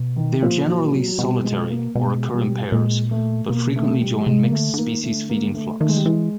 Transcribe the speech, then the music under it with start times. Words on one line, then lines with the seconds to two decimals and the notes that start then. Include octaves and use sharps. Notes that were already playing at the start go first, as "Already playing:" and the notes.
They are generally solitary or occur in pairs, but frequently join mixed-species feeding flocks.
Already playing: B2
0.16 D#3
0.42 A#2 F3
0.68 F#3
0.94 F#3
1.07 F#3
1.19 B2 G3
1.44 G#3
1.70 A#3
1.95 B2 G#3
2.34 G3
2.72 A#2 G#3
3.11 A3
3.49 B2 A#3
3.76 A3
4.01 G3
4.21 G3
4.27 C3 G#3
4.43 A#3
4.52 D3 A3
4.74 D3
4.78 D#3 A#3
5.03 D3 A3
5.29 A#3
5.54 A3
5.80 D#3 A3
5.89 G#3
5.97 G3
6.05 E3 G#3